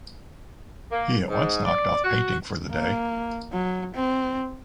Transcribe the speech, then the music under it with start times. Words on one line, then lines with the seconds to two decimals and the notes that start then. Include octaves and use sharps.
He at once knocked off painting for the day.
0.91 A#3
1.29 G#2
1.65 D5
2.04 F#4
2.70 A#3
3.52 F#3
3.95 C4